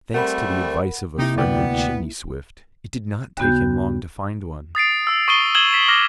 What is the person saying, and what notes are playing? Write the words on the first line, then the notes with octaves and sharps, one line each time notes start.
Thanks to the advice of a friendly chimney swift, it did not take him long to find one.
G3 A3 C4 A#4 F#5 B5
C3 A#3 D#4 E4 G4
D2 B3 D5 G5
D#2 C#3 B3 F#4 G6
D#6 A6 C7 D7
D#6 E6
C#6 D#6 A6 C7 D#7 G7
D#6 G#6 E7 F#7 G7
B6 E7
D6 F6 A#6 F#7